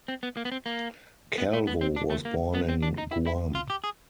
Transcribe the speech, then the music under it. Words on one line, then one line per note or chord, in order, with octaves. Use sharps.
Calvo was born in Guam.
C4
B3
A#3
B3
C4
A#3
B3
A3
B3
C4
D4
A3
A#3
B3
C4
D4
D#4
E4
E4
F4
G4
G#4